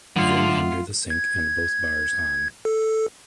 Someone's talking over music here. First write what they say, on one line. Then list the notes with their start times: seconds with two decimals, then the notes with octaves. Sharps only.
Vim under the sink and both bars on.
0.16 D3 F#3 A3 F4 F#5
1.10 G#6
2.65 A4